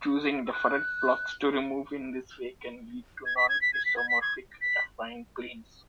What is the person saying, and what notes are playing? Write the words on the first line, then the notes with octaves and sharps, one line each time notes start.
Choosing different blocks to remove in this way can lead to non-isomorphic affine planes.
E6
F#6
G#6
B6
G#6
B6
G#6
B6
G#6
B6
G#6
B6